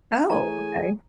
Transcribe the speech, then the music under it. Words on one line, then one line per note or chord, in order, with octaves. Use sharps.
Oh, okay.
E3 A3 G#4 C#5 G#5 A#5